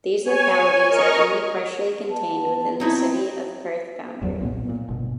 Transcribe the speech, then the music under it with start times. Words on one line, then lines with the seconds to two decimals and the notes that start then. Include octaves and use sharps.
These localities are only partially contained within the City of Perth boundary.
0.23 C#5 G#5
0.89 A#4 D#5 C#6 F6
2.10 B3 A5
2.80 F#3 C4 D#4 E4
4.21 G1 E2 F#3
4.41 B1 A#2 B3
4.69 A#2
4.88 G1 B2